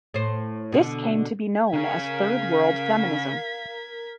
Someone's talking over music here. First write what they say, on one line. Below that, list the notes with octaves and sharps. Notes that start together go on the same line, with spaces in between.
This came to be known as Third World feminism.
A2 C5
B2 D3
C#3 G#4 A#4 F5 G#6 B6